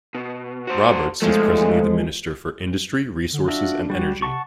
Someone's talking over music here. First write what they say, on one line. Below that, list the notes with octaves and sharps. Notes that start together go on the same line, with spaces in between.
Roberts is presently the Minister for Industry, Resources and Energy.
B2
F#4 C5
B2 F3 G#3 A3 A4
D3
D4 F4 F#4 E5
G3 F#4
C3 F#5 A5 C#6